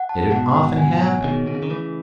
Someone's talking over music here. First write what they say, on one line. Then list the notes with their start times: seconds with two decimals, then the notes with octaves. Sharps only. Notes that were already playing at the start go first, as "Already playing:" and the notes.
Did it often happen?
Already playing: F#5
0.09 A5
0.32 G#2 B2 F#5
0.54 F#5
0.77 G#5
1.01 C#5
1.24 B2 D#3 G#4
1.47 B2 G#4
1.55 C#3
1.63 D#3
1.70 C#3 E3 A3